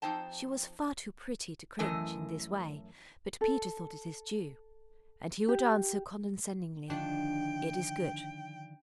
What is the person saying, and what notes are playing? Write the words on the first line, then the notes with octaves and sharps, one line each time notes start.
She was far too pretty to cringe in this way, but Peter thought it his due, and he would answer condescendingly, 'It is good.
F2 D#4 C5 G5 A5
F#2 E3 A3 A#4 D#5 G#5
A4
G4
D3 D#3 F3 D4 G5